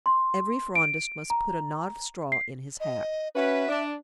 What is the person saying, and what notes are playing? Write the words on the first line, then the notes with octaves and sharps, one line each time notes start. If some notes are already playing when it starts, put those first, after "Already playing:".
"Every Frondist must put a knot of straw in his hat."
C6
D7
A#5
C7
D#5
C#4 F#4 B4 E5
D4